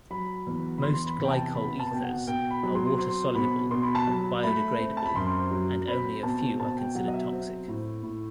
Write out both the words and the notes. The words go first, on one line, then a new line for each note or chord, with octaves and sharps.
Most glycol ethers are water-soluble, biodegradable and only a few are considered toxic.
F#3 B5
E2
B5
E2 C6
B5
C3
G5
A5
B3 B5
A5
B2 G5
F#5
B2 G5
B5
F#3
C6
C4 C6
B2 B5
B2 C6
B5
A5
F#3 B5
A3 B5
C4
A5
B5
F#2 C6
F#3
C4 B5
B2 A5
B2 A5
G5
F#3 F#5
D#5
E5
C4
A2
A2